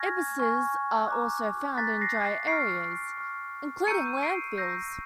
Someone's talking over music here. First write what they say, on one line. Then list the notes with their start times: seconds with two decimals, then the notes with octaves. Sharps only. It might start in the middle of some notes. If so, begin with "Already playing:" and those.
Ibises are also found in drier areas, including landfills.
Already playing: G#5 C#6 F6 G#6 A#6
0.38 G#5 C#6 F6
1.08 A#5 D6 F#6
1.78 A#5 D6 F#6 A6 B6
2.01 A#6 C7
2.24 A#6 C7
2.48 C#6 F6 C7 D7
3.18 C#6 F6
3.87 A#5 C#6 E6 G6 C#7 D#7
4.23 C7 D7
4.58 A#5 C#6 E6 G6 A#6 C7